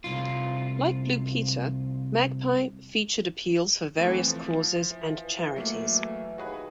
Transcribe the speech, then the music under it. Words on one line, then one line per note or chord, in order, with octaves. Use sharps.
Like "Blue Peter", "Magpie" featured appeals for various causes and charities.
C2 F4
E3 A3 C4
F3
E3
E3
F#3 A3 A#3
D#2 F#4 G#4 B4